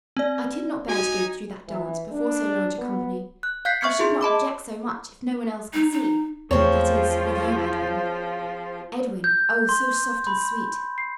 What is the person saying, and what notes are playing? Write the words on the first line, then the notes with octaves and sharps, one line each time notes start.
"I could not bear to go through that dance before so large a company. I should not object so much if no one else could see--that is, with you--Edwin." "Edwin!" Oh! so soft and sweet!
C4 D5
D#4 F#4 G#5
E3
D4
B3
F#6
F5 F#6 G6 B6 C7
E5 C#6 F6 G#6 C#7
F4 G#4 C6
D#5 A5 B5 D6
D#4
D#4
E2 F3 A3 C4 F4 G#4 C#5
G6
C6
B5
C7